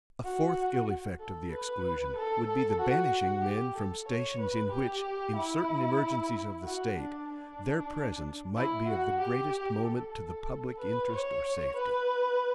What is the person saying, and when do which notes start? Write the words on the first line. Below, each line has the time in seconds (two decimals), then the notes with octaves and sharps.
A fourth ill effect of the exclusion would be the banishing men from stations in which, in certain emergencies of the state, their presence might be of the greatest moment to the public interest or safety.
0.24 F#4
1.20 A4
1.52 B4
2.16 A4
2.48 A4
2.80 F#4
3.44 G4
3.76 A4
4.08 C#5
4.40 B4
4.72 G4
5.36 E4
6.64 F#4
6.97 D4
7.28 D4
8.56 E4
8.88 F#4
9.20 G4
9.84 A4
10.80 B4
11.12 C#5
11.76 B4